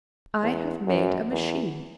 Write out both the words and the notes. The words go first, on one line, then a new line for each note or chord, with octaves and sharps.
"I have made a machine!"
E2
F#2
E2